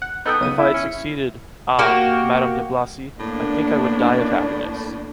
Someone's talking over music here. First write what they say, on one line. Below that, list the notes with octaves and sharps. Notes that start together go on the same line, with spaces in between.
If I had succeeded Ah! Madame de Blacy, I think I would die of happiness.
F#5
B3 D#4 A4 G5
B1 C#3 D#7
E4
C#4
A#3 F#4 G4
A2 A#3 B3 D4